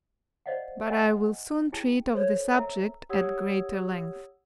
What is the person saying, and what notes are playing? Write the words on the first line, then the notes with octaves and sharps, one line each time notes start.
But I will soon treat of the subject at greater length.
C5 D5 D#5 F5 F#5
D#5 E5 F#5 G#5 A5 B5
E4 G#4 G5 A5
A4 C5 C#5
A#4 E5 A#5 E6
G4 C#5 F#5 D#6 E6 G#6